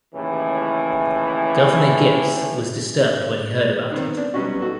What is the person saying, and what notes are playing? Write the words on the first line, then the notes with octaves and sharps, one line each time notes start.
Governor Gipps was disturbed when he heard about it.
D#2 A2 C#3 E3
D#3 B3 C4
D4
F#3 G3 B3 C#4 D#4 F#4
D#4 F#4 A4